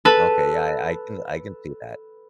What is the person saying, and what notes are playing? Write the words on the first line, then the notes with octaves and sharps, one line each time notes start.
okay, yeah, I I can I can see that.
A4 B4